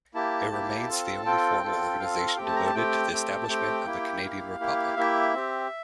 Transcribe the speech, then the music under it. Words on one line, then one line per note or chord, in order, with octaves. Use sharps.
It remains the only formal organization devoted to the establishment of a Canadian republic.
A#3 E4 G4 A5
A#3 E4 G4
C4 F4 A4
C4 F4 A4 G5
C4 F4 A4
C4 F4 A4 F5
F5
A3 C4 G4 G5
A5
A#5
A5
A3 C4 G4 G5
A3 C4 G4
A5
A3 C4 G4 G5
A#3 E4 G4
A#3 E4 G4 F5
A#3 E4 G4
A#3 E4 G4 E5
C4 G4